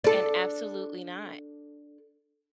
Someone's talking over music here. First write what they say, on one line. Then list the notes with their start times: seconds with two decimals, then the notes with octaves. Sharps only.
And absolutely not.
0.04 D4 A4